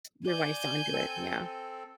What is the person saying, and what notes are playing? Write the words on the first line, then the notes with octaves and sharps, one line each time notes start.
Your wife's onto it, yeah.
D5 G#5 D6 G6
C4 A4